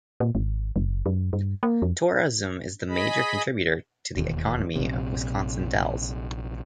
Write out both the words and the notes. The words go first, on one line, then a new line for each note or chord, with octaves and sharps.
Tourism is the major contributor to the economy of Wisconsin Dells.
A#2
G#1
F#1
F#2
G2
A#3
F2
G#4 D#5 B5
E1 D#2
A#1 C3